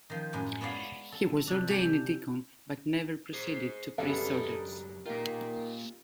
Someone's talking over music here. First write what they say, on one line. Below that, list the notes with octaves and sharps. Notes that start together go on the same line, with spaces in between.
He was ordained a deacon but never proceeded to priest's orders.
D#3 F3
F#2 A2 G#3
B3 C#5 D5 F5
A4
C3 D4
G4 A4 E5 G#5 A5
G#4 C5
F#2 C#3 F#3 G3 B3 D4 A4 E5
A#4 D#5 G5
D#3 A#3 F4